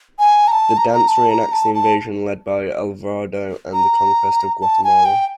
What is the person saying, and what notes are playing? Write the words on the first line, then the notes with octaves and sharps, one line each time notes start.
The dance reenacts the invasion led by Alvarado and the conquest of Guatemala.
G#5
A#5
A5
A#5
A#5
A5
A#5
A5
A5
A#5
A5
G#5
G5